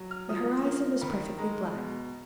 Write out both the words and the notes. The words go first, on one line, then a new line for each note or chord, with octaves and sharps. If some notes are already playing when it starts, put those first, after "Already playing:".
The horizon was perfectly black.
Already playing: F#3
F6
F3 D#6
A#3
D#3 B5
G#3 A#5
B2